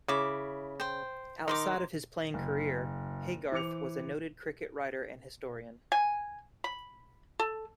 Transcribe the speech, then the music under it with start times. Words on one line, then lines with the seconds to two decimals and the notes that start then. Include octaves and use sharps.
Outside of his playing career, Haygarth was a noted cricket writer and historian.
0.08 C#3 E4 D6
0.80 C5 G5
1.48 D#3 D#4 C6 D6
2.34 F#1
3.52 E3 C5 D6 C#7 F7
5.92 G#5
6.64 B5
7.40 A4